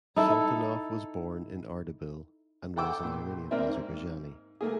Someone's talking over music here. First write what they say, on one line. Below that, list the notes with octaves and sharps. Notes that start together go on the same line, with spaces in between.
Sultanov was born in Ardabil and was an Iranian Azerbaijani.
D#4 E4 A4
A4 F#5 G5 D6 E6
A#1
A#3 C4 A#4 D5 E5
G#2
A3 A#3 G#4